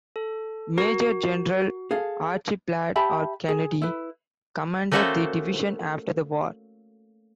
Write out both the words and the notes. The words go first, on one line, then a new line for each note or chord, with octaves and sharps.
Major General Archibald R. Kennedy commanded the division after the war.
A4
F#4 A#4
G#4 A4 F5
G4 E5 A5 B5
G#4
E4 B4
A3 A#3 C#4 F#4 A4 C5